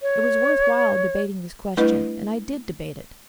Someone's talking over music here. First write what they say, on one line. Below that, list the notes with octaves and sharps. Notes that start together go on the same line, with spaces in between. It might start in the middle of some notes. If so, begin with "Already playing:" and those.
It was worth while debating this question, and I did debate it.
C#5
G3 A3 D4 E4 B4 D#5